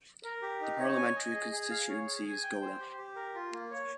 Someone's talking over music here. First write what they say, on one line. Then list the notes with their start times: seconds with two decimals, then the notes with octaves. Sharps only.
The parliamentary constituency is Godda.
0.24 A#4
0.42 G4
0.61 D#4
0.79 C#5
0.97 G#5
1.16 D#5
1.34 G#4
1.52 G#4
1.70 F5
1.89 C#5
2.06 G#4
2.25 G#5
2.43 G5
2.61 C5
2.79 G4
2.98 G4
3.16 A#4
3.34 F4
3.52 A#3
3.71 C#5